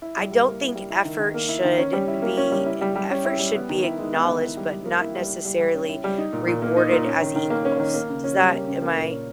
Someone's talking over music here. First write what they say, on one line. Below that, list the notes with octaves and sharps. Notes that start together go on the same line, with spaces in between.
I don't think effort should be effort should be acknowledged, but not necessarily rewarded as equals. Does that am I,
E4
G3
G3
A#3
E4
G3
E4
D#3
D#3
A#3
E4
D#3
C#4
G3
E4
A#3
C#4
G3
E4
G3
G3
C#4
E4
G3
B3
D#3
E4
G#3
B3
D#3
E4
G3
G3
A#3
E4
G3
E4
G3
G3
C#4
E4
G3
D#4
A#2
A#2
A#3
D#4
A#2
C#4
D#3
D#3
A#3
C#4
D#3
A#3
C#3
C#4
G3
A#3
C#3
A#3
A#2
C#4